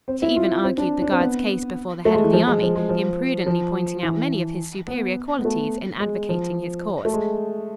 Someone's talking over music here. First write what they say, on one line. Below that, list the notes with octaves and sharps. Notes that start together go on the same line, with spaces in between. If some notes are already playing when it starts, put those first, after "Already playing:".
She even argued the guard's case before the head of the army, imprudently pointing out many of his superior qualities in advocating his cause.
C4
E4
F4
C4
D4
D4
C4
B3
A3
G#3
E3
F3
G#3
F3
G#3
F3
F3
E3
B3
B3
A3
G#3
F3
A3
G#3